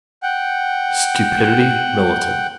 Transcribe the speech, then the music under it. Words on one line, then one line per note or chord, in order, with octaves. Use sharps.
Stupidity militant.
F#5 G5